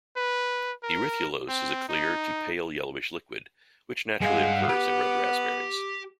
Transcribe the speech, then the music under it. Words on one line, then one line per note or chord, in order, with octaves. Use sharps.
Erythrulose is a clear to pale-yellowish liquid, which naturally occurs in red raspberries.
B4
A#4
C4
D#4
G2 G#3 F5 F#5
B3 G4